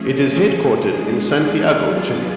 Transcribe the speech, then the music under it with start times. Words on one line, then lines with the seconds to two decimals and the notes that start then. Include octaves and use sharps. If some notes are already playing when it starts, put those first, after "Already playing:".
It is headquartered in Santiago, Chile.
Already playing: F3 A3 C#4 G#4
0.84 G#3 D4 G#4
1.84 F#3 B3 F4 G#4 D5